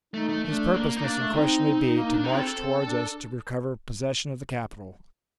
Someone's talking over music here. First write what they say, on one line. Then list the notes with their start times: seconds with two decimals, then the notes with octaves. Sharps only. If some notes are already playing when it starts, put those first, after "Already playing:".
His purpose must unquestionably be to march towards us to recover possession of the capital.
0.14 A3 D#4
0.29 A3
0.44 A3 D4
0.74 A#3
0.97 D#4
1.04 A#3 D4
1.19 A3
1.33 C4 D#4
1.93 A#3
2.14 D4
2.23 C4 D#4
2.38 A4
2.53 C4
2.83 D4